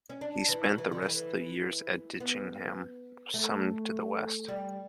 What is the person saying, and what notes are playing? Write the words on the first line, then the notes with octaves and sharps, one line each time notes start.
He spent the rest of the year at Ditchingham some to the west.
C#4
D4
E3
F#3
E3
D3
F#3
E3
B3
A3
G3